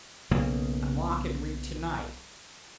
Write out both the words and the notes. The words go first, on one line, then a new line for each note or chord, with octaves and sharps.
"Unlock and read to-night."
B1 C#3 A#3